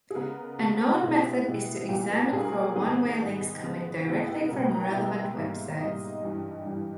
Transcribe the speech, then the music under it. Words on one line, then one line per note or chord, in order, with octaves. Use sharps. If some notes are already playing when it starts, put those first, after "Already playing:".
A known method is to examine for one-way links coming directly from relevant websites.
G#4
C#3 G#3 B3 A#4
C#3 G#3 B3
B2 G#3 B3 E4
G4
E4
B2 G#3 B3
A#2 G3 A#3 G4
B4
A#4
A#2 G3 A#3 G#4
A#4
G#2 D#3 G3 B3 G#4
G#2 D#3 G3 B3
C#3 G#3 B3
C#3 G#3 B3 E4
G4
B2 G3 B3 A#4
B4
A#5
G5
B2 G3 B3 E5
G#2 G3 A#3
G#2 G3 A#3 D#5
G2 E3 G3
G2 E3 G3